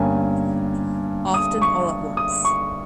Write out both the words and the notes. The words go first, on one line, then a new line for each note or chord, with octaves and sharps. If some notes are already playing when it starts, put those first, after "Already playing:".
Often all at once.
Already playing: G1 G2 G3 A#3 C#4 G#5
D#6
C#6
D#6
C#6